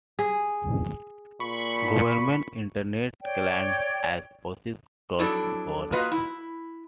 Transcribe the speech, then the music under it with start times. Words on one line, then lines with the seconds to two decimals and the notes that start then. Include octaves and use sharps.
Government Internet clients as "osis dot gov".
0.19 G#4
1.40 A#2 B5 C#6
3.22 C#5 D5 G5
5.19 F2 F#3 D4 E4 A4 D5
5.92 A#3 F4 F#4 B4 D#5
6.12 E4